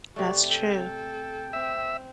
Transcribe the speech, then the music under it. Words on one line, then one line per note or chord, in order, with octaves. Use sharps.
That's true.
C3 A3 F#4 D5
A4 G5
C4 E5